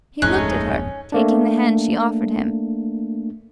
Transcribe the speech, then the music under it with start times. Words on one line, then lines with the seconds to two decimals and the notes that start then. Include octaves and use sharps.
He looked at her, taking the hand she offered him.
0.22 D1 F2 G#2 G#3 A3 C#4 D#4 F#6
1.12 A3 A#3 D4